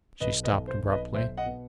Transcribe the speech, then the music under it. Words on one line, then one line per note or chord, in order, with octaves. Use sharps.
She stopped abruptly.
B1 B4 D#5
B4 D#5
B1
C5
B1
B4 D#5
B1 C5 E5
D#5 F#5
B2